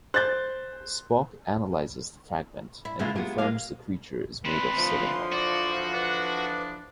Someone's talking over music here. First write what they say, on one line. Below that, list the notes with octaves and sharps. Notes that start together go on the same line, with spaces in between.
Spock analyzes the fragment, and confirms the creature is made of silicon.
C5 F#6 G6 A6
E4
E2 C#3 G#3 E4 F4
F#3 G#3 B3 F4 G4
F#3 G#3 A#3 F5
D2 C3 B4 C6
D3 E3 F3
F#4 D5
D4 B4